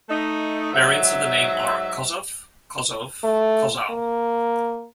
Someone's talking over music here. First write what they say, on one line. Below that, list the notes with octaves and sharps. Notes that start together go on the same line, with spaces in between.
Variants of the name are Kossov, Kosov, Kossow.
A3 D#4
G#2 F#3 E5
A3
A#3